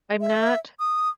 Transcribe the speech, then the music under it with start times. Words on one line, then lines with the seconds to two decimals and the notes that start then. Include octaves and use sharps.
I'm not
0.21 E5
0.79 D#6